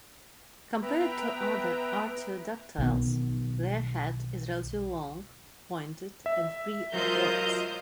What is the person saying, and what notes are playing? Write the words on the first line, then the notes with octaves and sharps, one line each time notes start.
Compared to other artiodactyles, their head is relatively long, pointed, and free of warts.
B3 B4 E5 G5 A#5
B1 D#3 B3
E5
F#3 F4 A#4 C5 D#5 G6